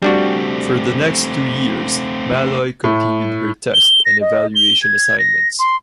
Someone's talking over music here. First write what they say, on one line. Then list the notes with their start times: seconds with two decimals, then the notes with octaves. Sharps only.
For the next two years, "Maloy" continued her test and evaluation assignments.
0.02 G3 A3 C4 D4 F#4
2.84 A2
3.74 G7
4.05 A#6
4.21 D#5
4.55 G7
4.82 G#6
5.19 A#6
5.59 C6